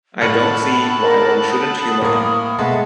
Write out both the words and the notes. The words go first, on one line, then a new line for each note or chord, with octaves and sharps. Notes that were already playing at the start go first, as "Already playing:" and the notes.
I don't see why one shouldn't humour him.
A2 A4 F#5 B5 F6 C#7
A#4
B5 D#6
A2 A#3
B2 G#3 A4 E5 F#5